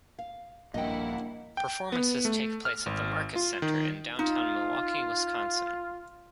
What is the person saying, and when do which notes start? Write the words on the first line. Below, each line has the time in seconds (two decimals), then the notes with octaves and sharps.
Performances take place at the Marcus Center in downtown Milwaukee, Wisconsin.
0.19 F5
0.74 A#1 G2 A#3 E4 D#5 F#5 G5
1.57 G5
1.92 B3
2.25 A3
2.65 F6
2.86 G#1
3.36 F4
3.62 D#3
4.19 D#4 F4